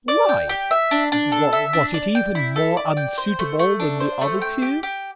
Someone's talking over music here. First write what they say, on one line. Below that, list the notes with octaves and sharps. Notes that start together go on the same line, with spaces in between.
"Why, was it even more unsuitable than the other two?"
D5
G5
G4
E5
D4
D4
A4
E5
D4
D5
G5
E4
A4
D5
G5
C5
A3
A3
D4
C5
A3
G5
G4
G4